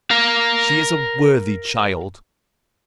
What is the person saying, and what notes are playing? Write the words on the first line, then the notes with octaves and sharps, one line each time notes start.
She is a worthy child.
A#4 F5